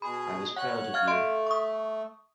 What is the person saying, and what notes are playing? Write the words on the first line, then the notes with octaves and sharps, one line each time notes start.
I was proud of you.
B2 G#4 B5
C#5 F#5 F#6
F5 F6 G#6
A3 D#5 C6 D7
C#6 D#6